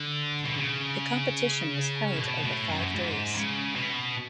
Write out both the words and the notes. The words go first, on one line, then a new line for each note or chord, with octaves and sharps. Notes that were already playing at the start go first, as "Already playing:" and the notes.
The competition was held over five days.
Already playing: D3
B2
C#3
B2
A2
F#2
G#2
C#3
B2